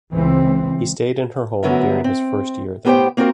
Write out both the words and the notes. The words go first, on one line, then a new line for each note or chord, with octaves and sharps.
He stayed in her home during his first year there.
C#2 E3 C4
D2 D3 F#3 B3 A#4 E5
C4
A2 B3 G4 A#4 C5 G5
A#3 C4 F4 F#4 A#4